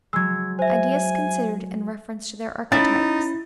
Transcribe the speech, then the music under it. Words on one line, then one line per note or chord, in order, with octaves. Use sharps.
Ideas considered in reference to their Archetypes.
F#3 G#3 E6 G#6
C5 E5 G#5
C#4 D#4 E4 B5 A6